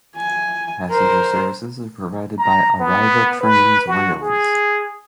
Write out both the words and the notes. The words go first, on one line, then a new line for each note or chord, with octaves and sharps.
Passenger services are provided by Arriva Trains Wales.
G#5
A#4 C5
A#5
B3
B4
F#4
G#4